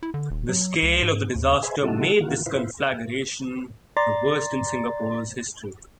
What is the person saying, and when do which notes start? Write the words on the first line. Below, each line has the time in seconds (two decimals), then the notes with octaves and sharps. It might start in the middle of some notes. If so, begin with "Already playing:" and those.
The scale of the disaster made this conflagration the worst in Singapore's history.
0.03 E4
0.14 D3
0.30 D#1
0.49 F#3
0.83 C#2
1.02 G#2
1.36 D#2
1.62 G#4 B4 C5 D#5 E5 G#5
1.82 C#3 G3 D#4 E4 F#4 A4
2.20 D#3 E3 A#3 F4 F#4
2.46 E4 F4 B4 C5
3.97 D5 A#5 C6 A6